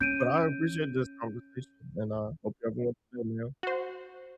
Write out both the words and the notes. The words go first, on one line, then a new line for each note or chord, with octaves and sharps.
But I appreciate this conversation, and I hope you have a wonderful day, man.
C#4 G6 D7 D#7
F#4 C5